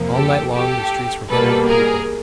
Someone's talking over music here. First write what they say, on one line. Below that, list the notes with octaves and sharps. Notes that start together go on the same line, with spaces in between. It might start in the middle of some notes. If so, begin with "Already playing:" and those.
All night long the streets were full of people.
Already playing: F2 C3 F3 A#3
G4 A4
G4 A4
B2 G3 A#3 A4 B4
G#4 A#4